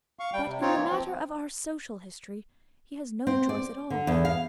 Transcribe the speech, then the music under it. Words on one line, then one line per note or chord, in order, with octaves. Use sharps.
But in the matter of our Social History he has no choice at all.
F5 C#6
G3 G5
C3
C4 D#4 F4 C#5
E3 A#3
F3 C4
C4
D5
D3
E2
F5